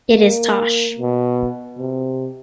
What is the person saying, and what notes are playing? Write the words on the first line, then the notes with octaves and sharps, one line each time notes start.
It is Tosh.
A#3
B2
C3